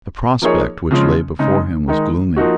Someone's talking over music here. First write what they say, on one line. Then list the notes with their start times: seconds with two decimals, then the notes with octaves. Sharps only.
The prospect which lay before him was gloomy.
0.42 F3 A#3 D#4 G#4 C#5
0.91 C#3 F3 G#3 C#4
1.39 C#3 G#3 D#4
1.88 D#3 G#3 D#4
2.36 F3 A#3 D#4 F#4